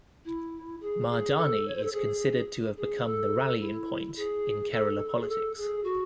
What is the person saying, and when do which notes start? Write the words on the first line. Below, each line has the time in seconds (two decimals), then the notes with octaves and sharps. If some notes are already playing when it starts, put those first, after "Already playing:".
Mahdani is considered to have become the rallying point in Kerala politics.
0.25 E4
0.80 G#4
1.09 G#4
1.36 A4
1.68 C#5
1.75 C5
1.83 A4
1.92 G#4
2.76 G#4
3.04 A4
3.60 E4
4.16 G#4
4.72 A4
5.19 G#4
5.29 A4
5.56 G#4
5.84 F#4